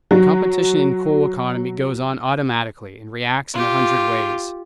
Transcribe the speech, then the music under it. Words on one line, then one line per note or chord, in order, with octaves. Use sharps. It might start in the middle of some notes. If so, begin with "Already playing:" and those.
The competition in coal economy goes on automatically and reacts in a hundred ways.
F#3 F#4
F4 G4